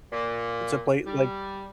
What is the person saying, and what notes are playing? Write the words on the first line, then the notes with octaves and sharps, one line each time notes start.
to play, like,
A#2
G3